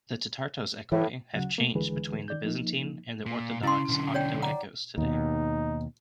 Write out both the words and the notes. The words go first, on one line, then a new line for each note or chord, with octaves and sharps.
The tetartos echoi have changed between the Byzantine and the Orthodox octoechos today.
A2 E3
D2 C#3 F#3 F#5
B2 A3 A#3
C#2 D3 E3 G#3 G#4 B4
D#3 D5 G6
F3 A#3 D#4
A#2
C#3 C#4 E4 C6
B1 D3
C#5 D5 G5
D5 F#5 A#5
D#2 B2 D#4